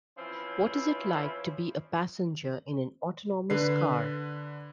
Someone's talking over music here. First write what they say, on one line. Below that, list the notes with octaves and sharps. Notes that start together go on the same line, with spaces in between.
What is it like to be a passenger in an autonomous car?
E3 F3 C4 C#4 E4
D3 B4 C7